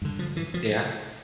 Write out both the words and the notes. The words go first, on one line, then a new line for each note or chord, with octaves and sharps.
M Yeah.
G2 D3
F3
E3
F3